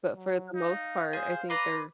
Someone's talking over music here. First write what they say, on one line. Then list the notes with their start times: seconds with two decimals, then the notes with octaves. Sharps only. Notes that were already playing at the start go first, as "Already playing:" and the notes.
But for the most part, I think they're
0.16 F#3
0.55 D#4 F5
1.13 G#4 C5
1.50 B4 D5 A#5 C6